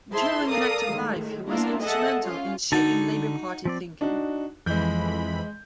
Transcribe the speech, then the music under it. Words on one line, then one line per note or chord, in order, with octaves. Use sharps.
During an active life he was instrumental in shaping Labour Party thinking.
E4 G#4 C5 E5 A5 C6
A4 A#4 D5 F5 A#5 D#6
A2 D#3 G#3
A#3 B3 D4 E4 F4 A#4
G#4 A4 D#5 E5 F#5 A5
C#4 F4
D3 D#4 F#4 A5
F3 C4 D5
D4 D#4 F#4
F2 E3 G#3 B5 G6